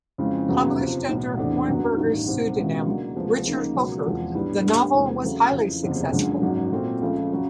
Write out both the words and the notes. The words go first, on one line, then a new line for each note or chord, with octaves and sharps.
Published under Hornberger's pseudonym, Richard Hooker, the novel was highly successful.
F2 C#3 E3 G#3 C4
E1 D#2 C#3 F#3 B3
F2 C3 F3
B1 A2 E3
E2 C3 E3 A3 D4
F#2 D3 F#3 B3
A1 G2 D#3
D2 C3 D#3
C#2 B2 G#3 C#4 E4
D3 F#3 A#3 D4
D2 C3 F3 G#3 B3
D2 C#3 F3 A#3 D#4
C#2 B2 F#3 A#3 C#4
E2 C3 F3 G#3
A2 E3 G3 B3 D4
D3 G3 A#3
E2 C3 E3 G#3
C#3 F#3 A3
F2 C#3 E3
F#1 E2 C3 F3
F#2 D3 F3 G#3
G#1 F#2 D#3 F#3
A#2 F#3 A3 C4
C#2 C#3 F3 A3
C#3 F#3